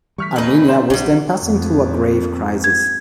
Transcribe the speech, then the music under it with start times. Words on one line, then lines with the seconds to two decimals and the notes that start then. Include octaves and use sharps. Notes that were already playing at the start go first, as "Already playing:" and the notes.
Armenia was then passing through a grave crisis.
0.18 E3 G3 C#6 F6 B6
0.36 D#1 E2 D#4 B4
0.67 C#3 C5 D5
0.90 A#1 F#3 G3 D4 D5
1.42 F2
2.64 G#6